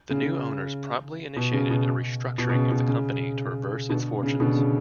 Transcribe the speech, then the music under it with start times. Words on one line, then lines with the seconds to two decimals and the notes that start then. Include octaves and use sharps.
The new owners promptly initiated a restructuring of the company to reverse its fortunes.
0.10 C#3
0.22 C#3
1.36 B2
1.53 C#3
1.70 B2
2.38 B2
2.49 B2
2.54 C#3
2.71 B2
2.88 C#3
3.89 B2 D3
4.23 C#3
4.40 B2 D3
4.57 C#3